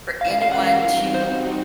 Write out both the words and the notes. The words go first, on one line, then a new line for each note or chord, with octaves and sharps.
for anyone to
E3 G#3 C#4 F4 A#4 F5
F5
F5
F#5
F5
G3 C4 D#4 F#4
C5